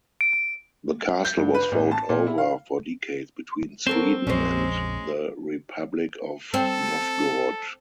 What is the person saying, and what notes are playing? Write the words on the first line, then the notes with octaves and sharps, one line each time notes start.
The castle was fought over for decades between Sweden and the Republic of Novgorod.
D7
G6
G2
B4
A1
A5
A#2
E4
F5
F#3 C4 A4 A#4
A#1 F2 G#3 C#4 C5
C4 A4